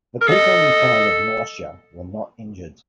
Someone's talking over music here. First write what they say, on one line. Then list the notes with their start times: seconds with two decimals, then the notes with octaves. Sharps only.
The people in the town of Norcia were not injured.
0.21 A#4
0.28 A4 D#5